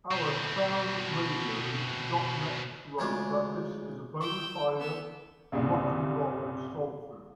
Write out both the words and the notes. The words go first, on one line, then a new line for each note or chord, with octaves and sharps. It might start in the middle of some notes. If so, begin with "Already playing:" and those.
OurTownRadio dot net wrote that This is bona-fide rock n' roll soul food.
B2 C4
D2 C#3 G#3 F4 C#5
G5 E6
B3 E6
C2 G2 A#2 C#3